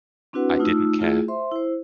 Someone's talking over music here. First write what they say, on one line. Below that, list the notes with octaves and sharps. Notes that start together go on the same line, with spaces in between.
I didn't care.
C4 D4 E4 F#4 B4 F#5
A3 D#4 F4 E6
A3 E4 F4 G#4
C5 E5 C6
E4 C5